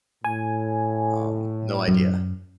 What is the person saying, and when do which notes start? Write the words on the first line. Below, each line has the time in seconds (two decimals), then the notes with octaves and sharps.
Um, no idea.
0.24 A2 G#5
1.88 F#2